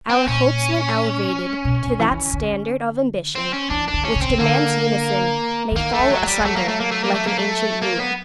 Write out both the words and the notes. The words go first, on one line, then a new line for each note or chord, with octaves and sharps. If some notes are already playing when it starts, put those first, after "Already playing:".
Our hopes when elevated to that standard of ambition which demands unison may fall asunder like an ancient ruin.
C4
A#2 C#4
B2
D3
E3
D#3
D3
C4
C#4
E3 D4
D4
D3
C#4
C#3
C4
C#3
D3 A#3
E3
D#3 A#3
E3 A3
F#3
F3
G3
F3
F#3 A3
A#3
A3
A#3
A3
A#3
A3
A#3
A3
A#3
B3